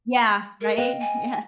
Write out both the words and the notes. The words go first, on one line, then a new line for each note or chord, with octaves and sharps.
Yeah. Right, yeah
A#4
B4 D#5 F5 G5
G#5